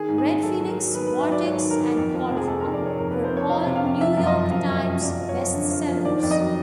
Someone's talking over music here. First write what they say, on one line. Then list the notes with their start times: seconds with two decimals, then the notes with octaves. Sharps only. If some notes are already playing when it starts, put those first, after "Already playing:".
"Red Phoenix", "Vortex", and "Cauldron" were all New York Times bestsellers.
Already playing: D#3 G#4
0.08 G#2
0.18 G#4
0.26 D#3
0.42 F#3 A4
0.60 F#3
0.69 A#4
0.77 F#3
0.94 D#3 B4
1.07 G#2 B4
1.20 E5
1.29 F#3 D5
1.46 G#2 C#5
1.63 D#3
1.70 A#4
1.79 D#3
1.97 F2
2.14 F3
2.31 C3
2.37 G#4
2.47 F2 A4
2.60 A#4
2.64 F2
2.73 D5
2.82 C3 C#5
2.98 F2 A#4
3.11 B4
3.15 F3
3.24 C5
3.32 C3 C#5
3.50 F3 F5
3.66 C3
3.76 F5
3.84 F2
4.00 F3 E5
4.17 F#2
4.27 D#5
4.34 F3
4.51 F#2 F5
4.68 F#2
4.77 E5
4.85 F3
5.02 F#2 D5
5.20 F3
5.29 C#5
5.36 F3
5.53 D3
5.71 F3
5.88 F3
6.05 D#3 D5
6.20 F2 D5
6.31 D#5
6.39 F#3